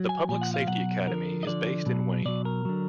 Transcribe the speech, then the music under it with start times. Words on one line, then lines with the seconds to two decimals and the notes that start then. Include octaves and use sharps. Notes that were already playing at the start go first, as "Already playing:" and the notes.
The Public Safety Academy is based in Wayne.
Already playing: F#3
0.09 G#5
0.29 A#2 F3 G#5
0.41 F#5
0.54 F5
0.68 B2 F#3 F#5
1.08 D3 F3 A#4
1.43 D#5
1.47 D3 F3 D5
1.86 B2 F#3
2.25 B2 F#3 D5
2.45 A#4
2.65 D3 F#3